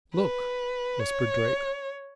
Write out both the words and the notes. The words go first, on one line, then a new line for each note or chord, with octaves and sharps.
"Look," whispered Drake.
B4
C#5